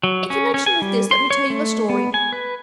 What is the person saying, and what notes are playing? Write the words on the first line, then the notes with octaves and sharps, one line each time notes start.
In connection with this, let me tell you a story.
F#3
C#4
C#4
G#5
G3
C6
C#5
A3
B3
G#5
B4